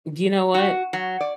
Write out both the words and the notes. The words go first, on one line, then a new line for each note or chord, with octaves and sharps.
Do you know what?
F#4
F#3
D5